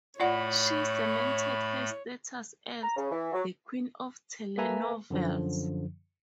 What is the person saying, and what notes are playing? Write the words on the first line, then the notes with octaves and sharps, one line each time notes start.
She cemented her status as "the Queen of Telenovelas".
A2 A3 F4 C#5 D5 F#5 B5
A#5
C#3
E3
F#3
A#3 A4 B4 E5 G#5 A#5
F#2 D3 F3